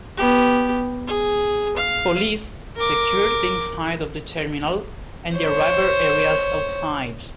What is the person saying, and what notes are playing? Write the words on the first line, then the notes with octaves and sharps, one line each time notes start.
Police secured the inside of the terminal and the arrival areas outside.
B3 G4
G#4
F5
A#4 D6
C5 C#5